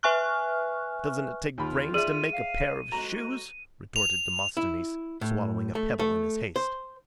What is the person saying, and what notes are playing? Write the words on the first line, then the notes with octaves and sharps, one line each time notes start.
"Doesn't it take brains to make a pair of shoes?" retorted Demosthenes, swallowing a pebble in his haste.
B4 E5 G#5 C#6 F6 F#6
D#2 F4 B5
G#4 D5 E5 D#7
F5
F2 G#3 F#4 A#5
F7
E4
A2
A3
A3
C5